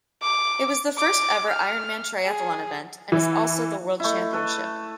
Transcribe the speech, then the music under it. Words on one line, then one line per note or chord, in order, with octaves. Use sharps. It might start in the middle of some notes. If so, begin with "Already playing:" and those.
It was the first ever Ironman triathlon event and is also the world championship.
D6
D6
F6
G#4
E3
A3 E4
A4 B4